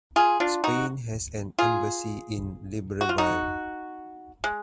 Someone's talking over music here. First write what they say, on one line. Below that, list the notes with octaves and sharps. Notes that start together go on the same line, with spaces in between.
Spain has an embassy in Libreville.
F4 G#4
D4 F4
D#4 F#4
F4 G#4
F#4
F4
D#4 F#4
G#3